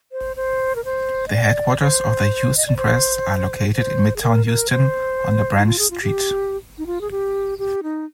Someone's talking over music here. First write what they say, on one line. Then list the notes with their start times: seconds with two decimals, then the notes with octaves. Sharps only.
The headquarters of the "Houston Press" are located in Midtown Houston on LaBranch Street.
0.12 C5
0.36 C5
0.76 A#4
0.85 C5
1.28 D#5
1.33 D5
1.81 C5
2.57 D#5
2.67 D5
2.77 C5
3.74 C5
4.16 G#4
4.22 A#4
4.46 A#4
4.70 C5
5.58 D#4
5.66 F4
5.79 G#4
5.90 F4
6.02 G4
6.78 D#4
6.86 F4
7.01 G#4
7.11 G4
7.59 G4
7.83 D#4